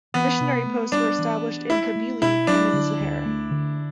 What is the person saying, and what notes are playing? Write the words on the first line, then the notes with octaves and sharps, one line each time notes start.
Missionary posts were established in Kabylie and in the Sahara.
E3 B3
C3
A3
G3 D4
E3
D4
D4 E4
A3
B2 E4
F#3 D4
D3
D2
A3
D3